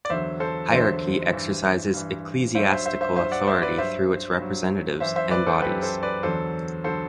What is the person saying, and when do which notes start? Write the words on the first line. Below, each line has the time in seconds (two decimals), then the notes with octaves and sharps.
Hierarchy exercises ecclesiastical authority through its representatives and bodies.
0.05 D5
0.10 E2 D3 F#3 C5 E5
0.40 A4 C5
0.71 E2 D3 F#3 C5 E5
1.33 G2 E3
1.94 G2 E3
2.55 G2 F#3 C5 E5
2.70 C5 E5
2.86 C5 E5
3.01 C5 E5
3.16 G2 F#3 C5 E5
3.32 D5 F#5
3.47 C5 E5
3.62 B4 D5
3.78 G2 F#3 C5 E5
4.39 G2 F#3
5.00 F#2 E3 C5 E5
5.16 C5 E5
5.31 B4 D5
5.46 A4 C5
5.61 F#2 E3 G4 B4
5.83 A4 C5
6.03 B4 D5
6.23 E2 D3 F#3 A4 C5
6.84 D3 F#3 A4 C5